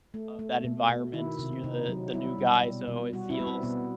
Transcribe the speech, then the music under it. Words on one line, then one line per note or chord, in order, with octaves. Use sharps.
of that environment, you're the the new guy so it feels
A3
A3
B2
B2
D#3 E4
C3
C4
C3 D#4
F#3
G3 E4
G3
B2
B2
G3 F#4
E4
G3 B3
C4
B2 B3